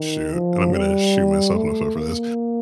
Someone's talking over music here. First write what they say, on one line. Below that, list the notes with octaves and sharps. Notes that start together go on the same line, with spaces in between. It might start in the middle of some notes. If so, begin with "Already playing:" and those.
shoot, and I'm gonna shoot myself in the foot for this.
Already playing: D#3
F3
G3
A3
A#3